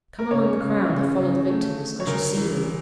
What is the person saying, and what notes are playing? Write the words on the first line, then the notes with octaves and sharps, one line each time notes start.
Come among the crowd that follow the victims,--I shall see thee.
A#4
C#3 C#4 C#5
C#3
C#3
C#3
A3
A3
C#5
D2 A#4
E3